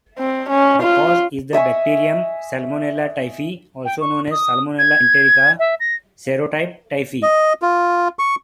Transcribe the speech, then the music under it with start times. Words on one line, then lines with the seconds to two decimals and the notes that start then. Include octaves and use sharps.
The cause is the bacterium "Salmonella" Typhi, also known as "Salmonella enterica" serotype Typhi.
0.19 C4
0.50 C#4
0.82 F4
1.53 D#5 E5 G#5 C#6
3.85 G5
4.00 C#6
4.31 D#6
4.78 G#6
5.59 E5
5.80 A#6
7.23 D#5
7.62 F4
8.19 C#6